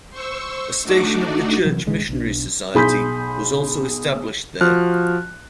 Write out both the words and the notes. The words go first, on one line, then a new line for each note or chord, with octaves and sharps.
A station of the Church Missionary Society was also established there.
C5 C#6 E6
A3 D4 D#4 F#4 D5
C3 D#3 E3 F#3
A#1 D3 G#3
B1 D4
B1 G#4 B5 C6 G6 B6
F3 F#4 F6 F#6